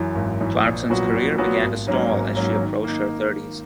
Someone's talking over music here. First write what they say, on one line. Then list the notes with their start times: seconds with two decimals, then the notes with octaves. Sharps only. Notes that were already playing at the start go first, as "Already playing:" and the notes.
Clarkson's career began to stall as she approached her thirties.
Already playing: F#2 E3
0.15 G#1
0.41 F#2 E3
0.65 A#1
0.90 A#2 F#3 B3 F#4
1.13 A#1
1.38 A#2 F#3 B3 F#4
1.63 G#1
1.87 G#2 F#3 A#3 C#4
2.12 G#1
2.36 G#2 F#3 A#3 C#4
2.61 D#3
2.84 A#3 D#4